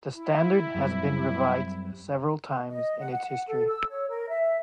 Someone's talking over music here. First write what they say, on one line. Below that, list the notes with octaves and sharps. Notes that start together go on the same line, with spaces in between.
The standard has been revised several times in its history.
E4
F#2 G3 C4
D#5
F#5
F#5
F#5
A4
E6
C#5
A#4
E5